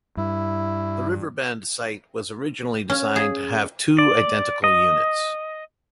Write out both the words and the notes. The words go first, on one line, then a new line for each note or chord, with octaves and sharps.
The River Bend site was originally designed to have two identical units.
G2 E4
C#4
G#4
D5
D#5